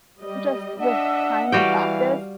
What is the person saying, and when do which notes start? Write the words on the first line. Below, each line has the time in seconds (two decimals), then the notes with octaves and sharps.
just, with time and practice
0.20 G3 D#5
0.79 D4 D#5 E5 F#5
1.52 E3 G3 F#4 F5 G5